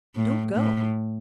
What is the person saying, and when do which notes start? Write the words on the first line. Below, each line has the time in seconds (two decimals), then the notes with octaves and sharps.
Don't go.
0.16 A2
0.54 A2